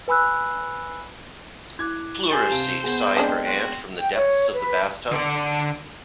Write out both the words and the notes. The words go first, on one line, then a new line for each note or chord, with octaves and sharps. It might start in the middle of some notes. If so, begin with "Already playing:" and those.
"Pleurisy," sighed her Aunt, from the depths of the bath-tub.
B4 G#5 B5 E6 F#6
E4 D6 F#6 G#6
G4 C5 G#5 A6
C3 F5 A5 D7
B3 G#4
G#3 C4 D4 D#5 G5
F#4 G5 C6
G5
C#5
B4
D3 D5